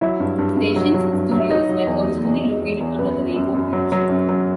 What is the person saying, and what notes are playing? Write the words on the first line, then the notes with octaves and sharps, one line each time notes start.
The station's studios were originally located under the Rainbow Bridge.
F#3 E4 E5
G2
G2
G2
F#3
F#3
G2
F#3
E5
F#3 D#4 D#5
F#3
E2
E2
E2
E2
E2
E2
F#2 B3 B4
F#2
F#2
F#2
F#3
F#3
F#2
F#3